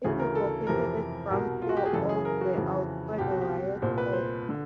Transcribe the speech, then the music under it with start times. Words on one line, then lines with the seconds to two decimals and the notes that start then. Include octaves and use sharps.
It is located at the Ground Floor of the Alfredo Reyes Hall.
0.04 D2 C#3 E3 G#4
0.20 A#4
0.35 A4
0.67 F2 C3 E3 A#4
1.31 C2 B2 A#4
1.62 F4
1.69 F#4
1.77 G4
1.86 G#4
1.93 F#2 C#3 E3 A4
2.09 G#4
2.25 A#4
2.41 F#4
2.56 F2 C#3 E3
3.18 C2 B2 G4
3.31 F#4
3.41 G4
3.82 C2 A#2 C5
3.98 B4
4.13 C5
4.49 D3